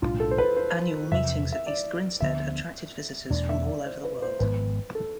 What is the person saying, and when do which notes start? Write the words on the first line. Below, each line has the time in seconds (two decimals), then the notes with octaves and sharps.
Annual meetings at East Grinstead attracted visitors from all over the world.
0.02 B1 A2 G#3 D4 F4
0.20 A4
0.31 C5
0.38 B4
0.57 C5
1.12 E2 C3 F3 E5
1.52 E5
1.66 D5
2.20 D2 D3 F3 B3 E5
3.30 E2 B2 A3 D4 D5
3.49 E5
3.67 D5
3.86 C5
4.04 B4
4.22 C5
4.39 G#1 G#2 F3 B3 B4
4.95 A4